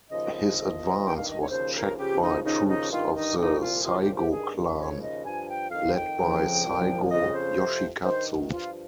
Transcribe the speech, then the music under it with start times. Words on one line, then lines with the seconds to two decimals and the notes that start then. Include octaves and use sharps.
His advance was checked by troops of the Saigo clan, led by Saigo Yoshikatsu.
0.11 D#2 C#3 F3 D#5
0.34 D#5
0.57 C2 C3 F3
1.04 G2 D#3 G5
1.17 F5
1.29 D#5
1.40 C#5
1.50 D#2 C#3 F3 C5
1.75 A#4
1.97 C#2 C#3 F3 G4
2.21 D#4
2.44 D#2 C#3 F3 D#4
2.67 D#4
2.90 G2 D#3 F4
3.14 D#4
3.37 C2 A#2 F3 D#4
3.60 F4
3.84 C2 C3 F3 F4
4.00 G4
4.15 G4
4.31 G2 D#3 G#4
4.78 D#2 C#3 F3 C#5
5.01 D#5
5.24 G2 F3 G#5
5.48 G5
5.70 F2 D#3 F5
5.94 G5
6.18 F2 C#3 F3
6.64 C2 A#2 F3
7.11 F2 C#3 F3 D#5
7.34 C5
7.57 F2 C3 F3
8.04 G2 D#3 C5
8.51 G2 F3 F4